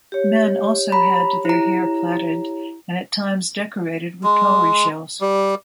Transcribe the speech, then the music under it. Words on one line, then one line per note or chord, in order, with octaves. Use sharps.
Men also had their hair plaited and at times decorated with cowrie shells.
G4 C#5
A#5 B5
E4 A#5
G#3
G3